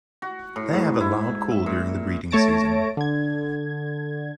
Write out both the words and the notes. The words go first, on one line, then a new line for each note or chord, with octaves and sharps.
They have a loud call during the breeding season.
F#4
A2
G#2
E4
E5
A#2
A3 C#5 A5 A#6 D7
D3 G#6